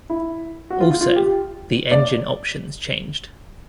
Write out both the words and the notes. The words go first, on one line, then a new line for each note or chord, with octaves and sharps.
Also, the engine options changed.
E4
F#4
F4
F4
F4
G4
D5